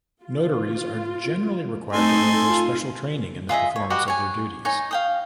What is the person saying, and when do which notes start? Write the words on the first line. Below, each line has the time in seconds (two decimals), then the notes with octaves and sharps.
Notaries are generally required to undergo special training in the performance of their duties.
0.22 F4
1.93 A3 C4 D#4 A4 G#5 C6
2.48 F4
3.49 F4 G#4 D#5 E5
3.76 C#5
3.90 F#4 G4 B4 D#5
4.08 C#5 G#5
4.65 D#4 C#5 G#5
4.91 F5 G5 D#6